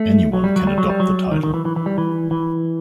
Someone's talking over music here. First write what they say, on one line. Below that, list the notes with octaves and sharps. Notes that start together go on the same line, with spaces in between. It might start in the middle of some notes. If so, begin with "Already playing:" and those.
Anyone can adopt the title.
Already playing: A3
F#3
G3
F#3
G3
F#3
G3
F#3
D#3
D#3
E3
E3
E3
G3
E3
E3